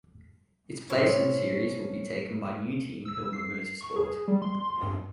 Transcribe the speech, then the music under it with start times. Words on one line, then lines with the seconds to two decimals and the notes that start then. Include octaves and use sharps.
Its place in the series will be taken by new team Hilmer Motorsport.
0.90 A2 C4 C#4 E4 C#5
3.05 E6
3.33 C7
3.81 C#6
3.96 G#4
4.28 G3
4.42 C6
4.82 G2